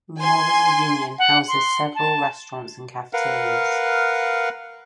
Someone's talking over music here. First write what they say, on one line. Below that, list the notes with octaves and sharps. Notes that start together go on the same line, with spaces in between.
Memorial Union houses several restaurants and cafeterias.
G#5 C6
F#5
C6
A5
A#4 B4 F5 F#5